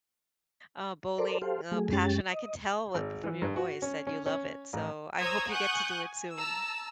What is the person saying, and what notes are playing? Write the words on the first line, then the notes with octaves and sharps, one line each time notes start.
uh, bowling, uh, passion. I can tell it from your voice that you love it, so I hope you get to do it soon,
A4 A#4 C5 D5
G4 A4 C5 F5
F#3 A3 G#4
F#2 G#3 C#4 G4 A6
D#5
G#1
E3
G2
F#4
C#4
C#4
C#4
A1
C5 C#5 A#5 D#6 E6 G#6
F#5 G#5 C#6 D#6 F#6 G6
G#5
A5 A#5 E6